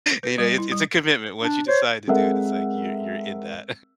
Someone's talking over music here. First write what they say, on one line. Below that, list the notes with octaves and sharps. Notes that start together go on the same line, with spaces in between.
You know, it's it's a commitment. Once you decide to do it, it's like you're you're in that.
B4
G3
E4
G3
D4
C5 C#5
G#3 C4 A4 A#4 E5 F#5